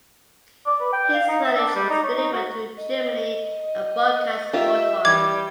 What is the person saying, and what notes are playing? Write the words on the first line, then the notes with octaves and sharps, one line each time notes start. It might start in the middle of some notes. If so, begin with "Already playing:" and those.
His footage was delivered to Germany and broadcast worldwide.
D5
B4
G5
F5
D#4
E5
D4
G3
D#4
C#5
D#4
F#4
D#5
F4 G4 A#4 E5
E3 G3 D6 G#6